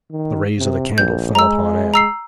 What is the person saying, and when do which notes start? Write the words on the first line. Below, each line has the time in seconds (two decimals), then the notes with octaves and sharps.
The rays of the candle fell upon Anne.
0.11 D#3
0.59 C3
0.98 A#1 G6
1.35 G#3 A#5 E6
1.94 A#5 E6 C7